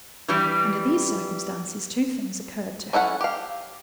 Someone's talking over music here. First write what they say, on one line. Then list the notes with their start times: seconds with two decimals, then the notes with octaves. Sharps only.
Under these circumstances two things occurred to her.
0.28 E3 G3
2.93 C#4 E4 A4 F#5
3.21 G4 F5